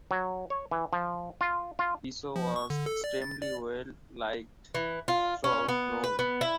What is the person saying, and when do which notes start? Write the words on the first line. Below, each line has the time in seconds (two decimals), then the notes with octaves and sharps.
Piso was extremely well liked throughout Rome.
0.11 F#3
0.50 C#5
0.71 E3
0.93 F3
1.41 F4
1.79 F4
2.36 F3
2.56 C#6
2.70 D3
2.86 A4
3.04 D5
3.22 A6
3.42 D5
4.74 E3
5.08 F4
5.44 C#4
5.69 B3
6.04 B4
6.19 B3
6.41 E4